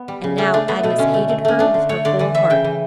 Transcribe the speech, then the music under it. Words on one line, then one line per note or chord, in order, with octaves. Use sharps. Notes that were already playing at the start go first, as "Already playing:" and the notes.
And now Agnes hated her with her whole heart.
Already playing: B3
G3
C#3
A3 C#4
A3 D4
A3 B3
B2 A3
D3 C#4
A3
A3
A3 C#4
A3 D4
D3
A3 C#5
D3 D5
E3 D5
E3 E5
C#3 G5
E3